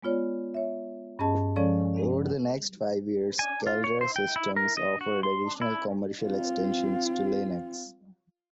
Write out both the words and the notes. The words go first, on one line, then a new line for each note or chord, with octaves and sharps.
Over the next five years, Caldera Systems offered additional commercial extensions to Linux.
G#3 B3 F4 C#5 D5
C#5 E5
G2 C#4 G#4 D#5 A5
F3 G#3 C#4 A4 C#5 D5
G#5
F4
C#5
C5
G5
E4
A#4
D#5
F#4
C6
E4
C4 F4